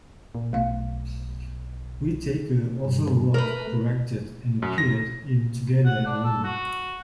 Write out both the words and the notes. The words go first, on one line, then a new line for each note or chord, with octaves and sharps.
Whitaker also wrote, directed and appeared in "Together and Alone".
A#2
B1 A3 F5
G2
A3 A#4 B4
F#2
A#6
F#5
D4
A4
F#4